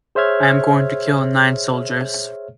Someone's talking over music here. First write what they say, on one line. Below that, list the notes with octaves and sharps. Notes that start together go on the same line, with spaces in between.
I am going to kill nine Soldiers.
G#4 C5 C#5 E5 F6 G#6